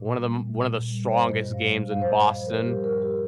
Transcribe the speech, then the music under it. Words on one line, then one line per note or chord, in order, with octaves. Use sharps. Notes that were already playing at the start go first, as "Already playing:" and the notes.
one of the m one of the strongest games in Boston,
Already playing: A#2
G3
A#2
A#2
G3
C5
G2 D#5
G2
F5
G3
G2 F5
C5
D#5
G2
C5
F3
A#4
G3 G4
A#4
G2
G4